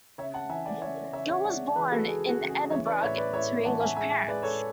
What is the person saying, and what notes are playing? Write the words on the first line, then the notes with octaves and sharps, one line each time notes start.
Gill was born in Edinburgh to English parents.
C#3 C#5 E5
F#5 A5
E3 E5 G#5
D5 F#5
C#3 C#5 E5
C#3 C#5 E5
C#5 E5
G#3 D5 F#5
E3 G#4 B4
F#4 A4
G#3 G#4
F#4
C#3
G#4
E3 C#5 E5
B4 D5
A2 C#5 E5
B4 D5
A2 C#5 E5
E3 F#5 A5
E5 G#5
G#3 E5 G#5
G#3 B4 D5
A4 C#5